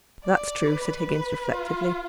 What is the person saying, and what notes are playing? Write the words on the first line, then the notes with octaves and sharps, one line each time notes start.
'That's true,' said Higgins, reflectively.
D5
B4
F4